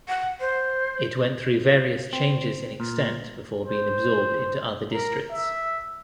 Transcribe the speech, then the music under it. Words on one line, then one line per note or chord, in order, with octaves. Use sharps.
It went through various changes in extent before being absorbed into other districts.
F#5
C5
C4
A#2
C5
A#4
E5